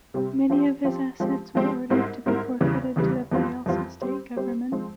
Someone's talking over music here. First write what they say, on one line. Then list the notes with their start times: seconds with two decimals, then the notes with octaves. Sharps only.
Many of his assets were ordered to be forfeited to the Bayelsa state government.
0.14 C3 G3 C4 G4
0.50 F3 C4 G4
0.84 F3 C4 G4
1.20 F3 G#3 C4 G4
1.55 F3 G#3 C4 G4
1.90 G#2 G3 C4 E4 A#4
2.26 G#2 G3 C4 E4 A#4
2.60 E2 C#3 E3 G3
2.96 E2 C#3 E3 G3
3.31 F2 E3 G3 C4 F4
3.66 F2 E3 G3 C4 F4
4.02 G3 C4 G4 C5
4.36 G3 C4 G4 C5
4.72 F3 G#3 C4